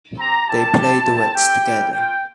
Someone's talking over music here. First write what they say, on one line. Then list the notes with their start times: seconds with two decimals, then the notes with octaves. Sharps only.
They play duets together.
0.18 C4 G4 A#5
0.47 G3 C4 E4 G4 A5
0.76 C4 E4 G4
1.05 C4 E4 G4
1.33 A3 C4 G4 G5
1.63 A#3 E4 G4
1.92 A#3 F4 G5